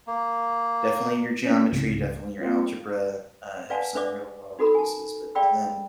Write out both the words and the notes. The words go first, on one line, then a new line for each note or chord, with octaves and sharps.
Definitely your geometry, definitely your algebra, uh, have some real world uses, but even then,
A#3
C#4 B6
C#2 G#2 C3
A#3 C4 F4
B4 D5 F5 F#5 G#5 A5
D4 B4 C5 D5 E5 D6
D#4 F#4 A4 A#4 B5
G#5 A5
G#4 D5 F5 G5 B5 E6